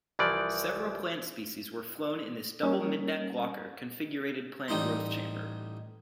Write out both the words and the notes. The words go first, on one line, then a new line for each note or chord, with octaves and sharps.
Several plant species were flown in this double middeck locker configurated plant growth chamber.
C2 E3 F3 D5
G3 A#3 C#4 A#4
A1 G3 D#4 C5 C6